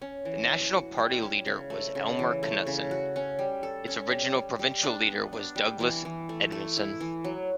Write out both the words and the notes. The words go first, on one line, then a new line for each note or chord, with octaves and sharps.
The national party leader was Elmer Knutson; its original provincial leader was Douglas Edmondson.
C#4
E3
E3
F#4
G3
C#4
C#3
A3
C#3
E3
A3
C#3
F#4
C#4
G3
A4
C#4
G3
G3
G3
D4
B3
D4
G3
E3
E3
A3
A3
E4
E3
F#3